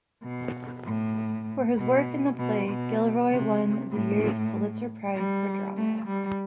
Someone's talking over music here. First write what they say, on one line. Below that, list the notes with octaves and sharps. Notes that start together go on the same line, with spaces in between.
For his work in the play, Gilroy won the year's Pulitzer Prize for Drama.
B2
A2
B2
B2
B2
C3
A2
G3
A3
G3